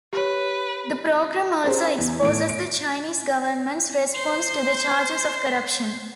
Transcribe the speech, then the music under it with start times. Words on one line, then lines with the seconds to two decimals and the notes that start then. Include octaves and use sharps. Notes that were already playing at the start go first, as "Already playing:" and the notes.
The programme also exposes the Chinese Government's response to the charges of corruption.
0.13 G4 B4 C#5
1.64 C#4 G4 G#4 A#4 C5
1.98 E2
2.22 A2 D#3 D7
2.49 D7
4.14 C5 C6